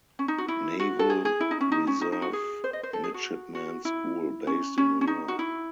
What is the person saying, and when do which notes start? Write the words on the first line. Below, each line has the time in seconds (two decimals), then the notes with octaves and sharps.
Naval Reserve Midshipmen's School, based in New York.
0.19 C#4
0.28 D#4
0.38 F#4
0.48 E4
0.80 F#4
0.99 A4
1.10 G#4
1.25 G#4
1.40 E4
1.51 D#4
1.61 C#4
1.72 D#4
1.87 C#4
2.01 D#4
2.12 D#4
2.22 F#4
2.33 G#4
2.64 C5
2.73 D#5
2.83 C5
2.93 A4
3.04 G#4
3.14 F#4
3.55 F#4
3.85 E4
4.47 C#4
4.78 C#4
5.01 C#4
5.07 D#4
5.28 F#4
5.39 E4